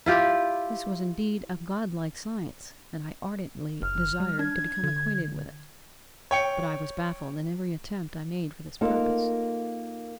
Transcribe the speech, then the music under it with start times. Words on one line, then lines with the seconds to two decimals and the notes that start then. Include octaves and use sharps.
This was indeed a godlike science, and I ardently desired to become acquainted with it. But I was baffled in every attempt I made for this purpose.
0.06 E4 F4 G4
3.82 F#1 F6
4.20 G3
4.39 D4 G#6
4.83 D3
6.31 C#5 G5 C#7
8.81 A#3 D#4 F4 A4